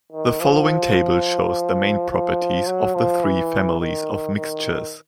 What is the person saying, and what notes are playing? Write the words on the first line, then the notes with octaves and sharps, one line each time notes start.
The following table shows the main properties of the three families of mixtures.
D#3
F3
F3
F#3
F3
E3
D#3
D#3